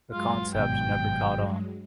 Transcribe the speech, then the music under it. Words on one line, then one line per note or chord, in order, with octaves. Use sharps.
The concept never caught on.
G2 F#3 G#3 F4
G#1 B2 G5